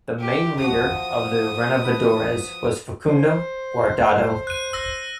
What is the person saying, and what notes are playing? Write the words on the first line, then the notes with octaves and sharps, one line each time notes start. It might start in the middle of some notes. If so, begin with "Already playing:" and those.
The main leader of the Renovadores was Facundo Guardado.
G4
F3 F#4 D#6
B4
C5
F#6 D#7
E6 A#6